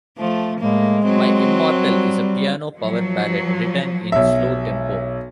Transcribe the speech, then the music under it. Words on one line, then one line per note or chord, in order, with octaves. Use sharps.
"My Immortal" is a piano power ballad written in slow tempo.
F3 A3
A2 G#3 A#3
F#3 C4
G3
F3 F#3
B1 E5